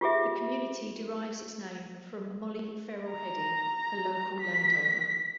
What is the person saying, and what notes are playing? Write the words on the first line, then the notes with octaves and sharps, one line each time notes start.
The community derives its name from Mollie Ferrel Heady, a local land owner.
F4 G4 G#4 E5
A#5
B6